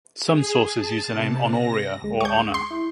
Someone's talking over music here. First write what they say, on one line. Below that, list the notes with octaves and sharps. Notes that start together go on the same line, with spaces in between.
Some sources use the name "Honoria" or "Honor".
G#4
A5
C3
A#6
D2 G#3
C#6 G6
C6
E4